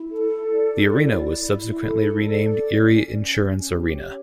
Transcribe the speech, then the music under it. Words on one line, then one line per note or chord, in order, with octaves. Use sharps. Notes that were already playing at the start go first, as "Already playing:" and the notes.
The arena was subsequently renamed Erie Insurance Arena.
Already playing: E4
A4
D5
E4
E4
A4
D5
C#4
C#4
G4
C#5